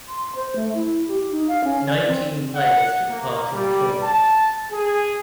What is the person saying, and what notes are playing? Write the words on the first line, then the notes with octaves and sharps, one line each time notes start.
Nineteen players took part in the tournament.
C6
C5
A3
E4
G4
D#4
F5
C#4
D5
C4
F#5
A#3
G3
A5
G#4